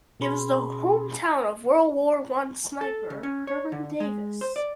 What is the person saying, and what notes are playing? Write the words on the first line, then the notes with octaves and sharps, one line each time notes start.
It was the hometown of World War One sniper Herman Davis.
B2 C#4 G#4 B5 C6
A4
C#3
C#4
C#5
D3
G#3
C5
D5